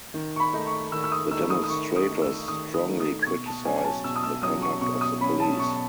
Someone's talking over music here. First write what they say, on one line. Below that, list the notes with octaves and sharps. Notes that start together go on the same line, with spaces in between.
The demonstrators strongly criticized the conduct of the police.
D#3
C#6
B5
A3 D#4
C#6
D#3 E6
E6
D#6
A3 D#4 E6
E6
D#6
D#6
D#3 C#6
D#6
A3 D#4
E6
D#3 D#6
D#6
A3 D#4
D#6
B2 C#6
A5
F#3 C#4 G#5
G#5
A5
B2 E6
D#6
E6
F#3 C#4 D#6
C#6
B2 C#6
D#6
F#3 C#4 B5
A5
B2 C#6